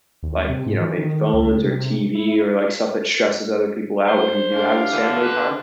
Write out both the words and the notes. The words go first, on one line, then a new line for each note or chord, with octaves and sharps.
like, you know, maybe phones or TV or, like, stuff that stresses other people out when you do have this family time?
D#2
C3
G#2
E3
D#3
C#2
C3
E4
C5
G#3 D4 G4 F5
D3 E3
G#4 B4